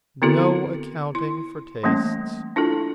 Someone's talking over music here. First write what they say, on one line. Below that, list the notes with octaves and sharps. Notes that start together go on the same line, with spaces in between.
No accounting for tastes!
D3 B3 C4 E4 F#4 A4
E4 C6
E3 G3 A3 A#3 C#4
D4 E4 F4 A4